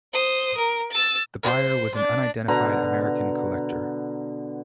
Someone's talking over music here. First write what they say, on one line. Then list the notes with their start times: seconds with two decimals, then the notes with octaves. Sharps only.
The buyer was an unidentified American collector.
0.13 C5 D#6
0.57 A#4
0.92 E6 A6
1.43 C5
1.96 D4
2.48 B2 D3 A#5